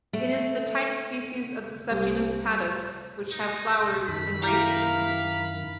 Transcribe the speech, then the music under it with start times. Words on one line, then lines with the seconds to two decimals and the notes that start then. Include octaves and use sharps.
It is the type species of the subgenus "Padus", which have flowers in racemes.
0.13 A3
1.90 C2
3.32 D#4
4.08 F#2 D#3 B5
4.42 E4 G4 A#4 F5